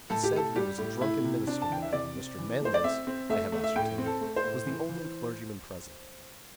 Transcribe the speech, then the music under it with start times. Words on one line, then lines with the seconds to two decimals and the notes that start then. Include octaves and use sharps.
"He said there was a drunken minister there, and Mr. Manlius, I have ascertained, was the only clergyman present."
0.10 A2 A4
0.24 G4
0.33 A2 A4
0.56 G3 G4
0.78 A2
1.01 A3 E4
1.24 C3
1.47 C4 D4
1.62 A5
1.70 E3 G5
1.82 E5
1.93 C3 D5
2.15 C4
2.38 E3
2.61 A3 C5
2.74 D5
2.84 C4 E5
3.07 C4
3.30 A3 E5
3.52 A3
3.64 E5
3.76 A2 G5
3.98 C4
4.06 A4
4.21 A3
4.36 C5
4.44 A2
4.67 E3
4.89 E3